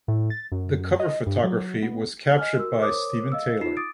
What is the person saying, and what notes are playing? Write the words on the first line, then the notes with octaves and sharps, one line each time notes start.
The cover photography was captured by Steven Taylor.
A2
A6
F#2
D#5
G2
F#3
B3
D#5 G#5 F6
F#4 A#4 E6
A#4 C5 C#5 D6 D#6
D#5 F5 E6
D#4 F4 C7 E7
D6 D#6 A6 D7